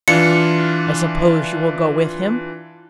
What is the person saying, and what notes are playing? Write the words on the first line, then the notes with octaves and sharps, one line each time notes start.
"I suppose you will go with him?"
E3 D4 F4 C#7